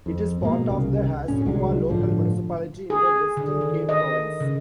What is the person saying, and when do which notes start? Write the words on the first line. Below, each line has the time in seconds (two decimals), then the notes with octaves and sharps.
It is part of the Hessequa Local Municipality in the Western Cape province.
0.06 F2
0.41 G#2 B2 A#3
0.69 C2 C#3
1.28 E1 D2 A2 C#4
1.45 C2 D3 F#3 G#3
1.89 G1 A2 D3 F3
2.90 G#4
3.37 D3
3.61 D#3
3.89 D#5
4.40 C#3